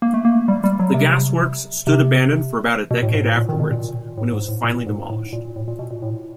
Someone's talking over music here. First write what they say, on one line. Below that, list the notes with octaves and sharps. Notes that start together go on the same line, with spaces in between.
The gasworks stood abandoned for about a decade afterwards, when it was finally demolished.
A#3
A3
A#3
G3
G3
F#3
C3
C3
B2
A2
G#2
A2
A#2
D#3
B2
A#2
A2
G#2
A2
A#2
G#2
A2
A#2
A2
A#2
B2
A#2
A2